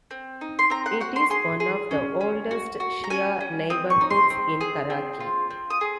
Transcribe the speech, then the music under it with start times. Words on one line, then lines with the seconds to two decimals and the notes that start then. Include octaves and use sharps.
It is one of the oldest Shia neighbourhoods in Karachi.
0.11 C4
0.41 D#4
0.59 C6
0.70 C4 A#5
0.86 F#5
1.01 F#4 F#5
1.16 C6
1.30 G#4 C6
1.60 G#4
1.91 C#4
2.21 C#4
2.51 F#4
2.80 F#4
3.04 A#5
3.10 C#4 G#5
3.41 C#4
3.70 C4 D#6
3.90 C#6
4.01 D#4
4.11 C6
4.30 C4
4.61 G#4
4.90 C4
5.20 F4
5.50 C4
5.70 D#6
5.81 G#4